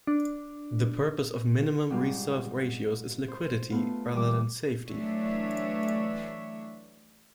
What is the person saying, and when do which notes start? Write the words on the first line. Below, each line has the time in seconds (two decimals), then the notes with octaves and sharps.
The purpose of minimum reserve ratios is liquidity rather than safety.
0.07 D4
1.90 G#2 G3 F4
3.28 C5
3.70 A3 B3 F4
4.13 E3 G3 D6
4.87 E3 F#3 A3 D4 C#5 E5